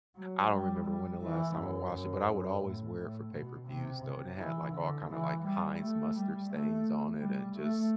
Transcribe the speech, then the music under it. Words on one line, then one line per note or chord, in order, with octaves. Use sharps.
I don't remember when the last time I watched it but I would always wear it for pay-per-views, though, and it had, like, all kinda, like, Heinz mustard stains on it and just
F#3
G3
G3
E3
F#2
F#2
F#2
A2
A2
B2
C3
C3
E3
D3
E3
G3
A3
G3
A3
G3
A3